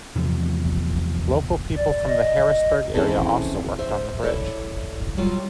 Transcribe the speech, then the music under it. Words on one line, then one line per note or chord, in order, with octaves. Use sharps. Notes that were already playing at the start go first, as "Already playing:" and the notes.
Local people from the Harrisburg area also worked on the bridge.
E2 C3 F3 F#3
D5
D#5
E3 C4 C#4 E4 G#4 A4
C5 E5
E4 A4 C#5 D5
F#3 G3 F4 F#4